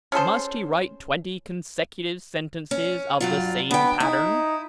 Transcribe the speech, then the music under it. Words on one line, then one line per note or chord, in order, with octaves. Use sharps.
Must he write twenty consecutive sentences of the same pattern?
C#4 G#4 A4 C5
C#4
G2 F#3 F4
B3 D4 G5
D#4 E4